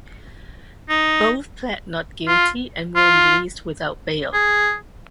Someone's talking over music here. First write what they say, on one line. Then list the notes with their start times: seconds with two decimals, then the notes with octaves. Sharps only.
Both pled not guilty and were released without bail.
0.89 D#4
2.27 F4
2.96 F4
4.33 G#4